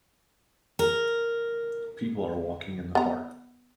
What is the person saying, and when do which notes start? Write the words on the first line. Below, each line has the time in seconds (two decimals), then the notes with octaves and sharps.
People are walking in the park.
0.79 A#4
2.95 B3 A#5